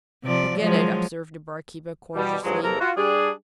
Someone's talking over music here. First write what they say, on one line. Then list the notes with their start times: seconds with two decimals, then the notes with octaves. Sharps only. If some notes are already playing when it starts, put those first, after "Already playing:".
"Forget it!" observed the barkeeper cordially.
0.24 C3 F3 D5
0.59 F3 F#3 G#3
2.15 B2 G3
2.44 G2 F3 F#3 G#3
2.63 E2 C3 A#3 A4 A#4 A#5
2.80 F4 F#4
2.96 G3 D4 G#4